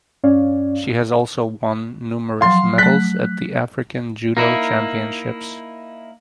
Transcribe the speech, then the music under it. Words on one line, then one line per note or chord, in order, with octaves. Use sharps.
She has also won numerous medals at the African Judo Championships.
G2 C#4 C#5 D5 F5
F3 F#3 F5 C6
F#3 A3 F#6 B6
A#3 D#4 E4